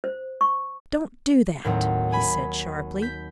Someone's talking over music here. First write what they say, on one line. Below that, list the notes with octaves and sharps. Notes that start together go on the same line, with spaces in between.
"Don't do that!" he said sharply.
C5
C#6
D#2 A2 F#3 C4
G#5 B5
G6 B6